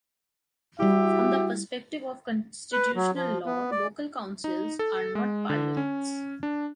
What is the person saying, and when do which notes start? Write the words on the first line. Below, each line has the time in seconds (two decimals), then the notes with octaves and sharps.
From the perspective of constitutional law, local councils are not parliaments.
0.79 G3 E4 F#4 G4 E5
2.72 B4
2.95 F#3
3.15 F3
3.46 B3
3.71 D5
4.44 D#4
4.79 A4
5.15 G#3
5.50 D3
5.77 C#4
6.43 D4